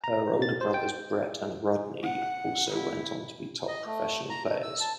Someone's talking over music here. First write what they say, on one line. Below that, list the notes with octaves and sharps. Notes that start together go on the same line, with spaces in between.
Her older brothers Brett and Rodney also went on to be top professional players.
A#5
A6
C5
G5
F#5
E4
D#5
A3
A#5
A3
E6
A5